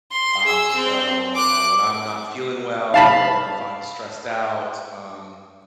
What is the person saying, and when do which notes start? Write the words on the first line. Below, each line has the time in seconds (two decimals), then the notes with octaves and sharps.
um, so, uh, when I'm not feeling well or if I'm stressed out, um,
0.11 C6
0.43 G#4 E6
0.75 C4
1.35 D6 F#6
2.94 F5 A5 B5